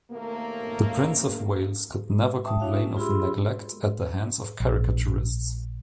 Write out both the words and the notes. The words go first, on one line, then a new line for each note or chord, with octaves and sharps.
The Prince of Wales could never complain of neglect at the hands of caricaturists.
D#2 B2 A3 A#3
E5 G5 A5 D#6
D4 E4 F#4 C#5 E5 F5
G#3 C#4
F4 G4 G#4 B5 C6 E6
A#1